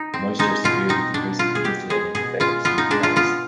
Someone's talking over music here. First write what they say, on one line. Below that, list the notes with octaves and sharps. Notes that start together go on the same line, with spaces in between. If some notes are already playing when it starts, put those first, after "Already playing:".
Moisture severely decreases the insulating effect of sleeping bags.
Already playing: D#4
C4
G#3 D#4
B2 F4
C4 D#4
B2 D4
B2 F4
G#4
B2 G4
G#3 G#4
B2 G#4
G#3 F4
B3 F4
D#4
G#3 D4
F4
B3 F4